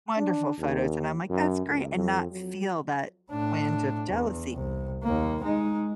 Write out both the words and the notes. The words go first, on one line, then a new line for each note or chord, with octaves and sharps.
wonderful photos, and I'm like, "That's great," and not feel that twinge of jealousy.
D4
D#2
F#2
C#2
F2
F#3
A2 D4
E2
C2
D#2 A#3
G#3 D#4